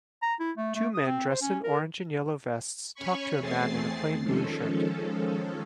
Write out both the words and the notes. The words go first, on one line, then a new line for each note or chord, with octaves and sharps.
Two men dressed in orange and yellow vests talk to a man in a plain blue shirt.
A#5
E4
A3
A3
D#6
C4
C5
C#4
A#4
C#4 C#5 G#5 B5 C#6
E2 A3 C4 G#4 A6 C7
D#3 F3 G#3 C#4 A4